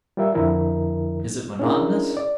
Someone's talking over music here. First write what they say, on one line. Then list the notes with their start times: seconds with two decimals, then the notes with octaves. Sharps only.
Is it monotonous?
0.17 G3 F4 A#4 E5
0.35 F2 D3 F3 E4 A#4
1.59 C#4 D4 E4 G#4 A#4
2.17 D5